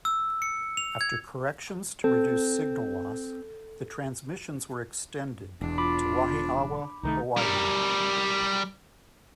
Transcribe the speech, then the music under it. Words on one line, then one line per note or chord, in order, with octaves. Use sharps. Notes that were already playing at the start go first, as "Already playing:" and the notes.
After corrections to reduce signal loss, the transmissions were extended to Wahiawa, Hawaii.
E6
C#7
F7
G#6
C4 A4
E1 E2 D4
F4 B5 D6
C2 D#3 A3 D#4
G3 A#4